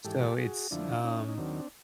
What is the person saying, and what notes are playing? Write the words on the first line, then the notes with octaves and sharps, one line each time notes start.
So it's, um
G#2 E3 G4 A4
F#4 G#4
F2 D3 F3 D4 E4
C#4 D#4
D#4
D#2 D#3 F#3 C4 D4